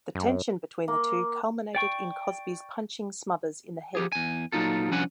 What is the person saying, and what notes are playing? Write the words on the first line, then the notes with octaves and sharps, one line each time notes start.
The tension between the two culminated in Cosby's punching Smothers in the head.
F#2
A#3
D5 G5 C#6
F3 G4 G#4
E2 G#5
A#2 F#3 D#4 F4 A4
C2 F3 C#4 D4 F#5 G#5